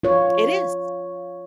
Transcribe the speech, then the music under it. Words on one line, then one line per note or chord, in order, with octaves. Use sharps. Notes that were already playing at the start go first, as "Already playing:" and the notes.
it is.
F4 C#5